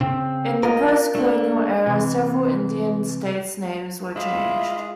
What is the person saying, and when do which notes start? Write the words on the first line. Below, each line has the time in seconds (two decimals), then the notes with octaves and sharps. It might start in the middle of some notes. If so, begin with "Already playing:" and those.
In the post-colonial era, several Indian states' names were changed.
0.01 C#3 C4
0.63 F4 A#4 D#5
1.15 A3 A#3 D4
1.86 C3 E3
4.16 G#3 E4 F4